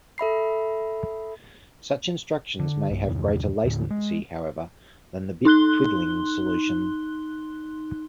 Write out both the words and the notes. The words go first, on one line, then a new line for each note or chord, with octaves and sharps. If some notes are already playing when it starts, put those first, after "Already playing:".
Such instructions may have greater latency, however, than the bit-twiddling solution.
A4 E5 B5 C7
D3
B1 G2
E2 G2 C3 D#3
D#2 A2 D3
G#3
D#4 C6 F#6 G7